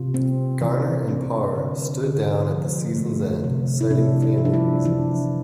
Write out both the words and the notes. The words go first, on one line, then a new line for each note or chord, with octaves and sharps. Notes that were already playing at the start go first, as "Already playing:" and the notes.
Garner and Parr stood down at the season's end, citing family reasons.
Already playing: C3 F4
C4
E3
C4 D4
D3
D3
F3
A3
C3
E4
C3 D4
E4
F3
D4
E4
E3 D4